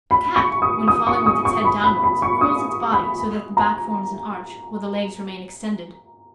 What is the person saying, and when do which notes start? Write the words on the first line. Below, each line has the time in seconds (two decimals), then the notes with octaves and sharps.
A Cat, when falling with its head downwards, curls its body, so that the back forms an arch, while the legs remain extended.
0.11 B5
0.36 C#6
0.62 D#6
0.88 D#6
1.07 C#6
1.26 D#6
1.45 C#6
1.64 B5
1.84 B5
2.04 B5
2.22 C#6
2.41 D#6
2.93 B5
3.57 A#5